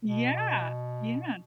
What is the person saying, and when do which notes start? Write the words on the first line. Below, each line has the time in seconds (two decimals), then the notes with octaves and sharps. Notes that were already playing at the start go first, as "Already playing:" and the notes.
Yeah. Yeah.
0.02 B2